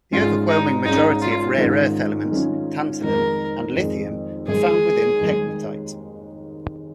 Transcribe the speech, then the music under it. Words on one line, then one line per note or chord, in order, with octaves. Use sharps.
The overwhelming majority of rare earth elements, tantalum, and lithium are found within pegmatite.
G#1 G#2 G#3 C#4 F4
D#4
G#1 G#2 G#3 C#4 D#4
F4
G#2 D#3 C#4 F4
G#2 D#3 C#4 F4
F2 D#3 G#3 A#4
F2 D#3 G#3
D#2 D#3 G#3 G#4
D#2 D#3 G#3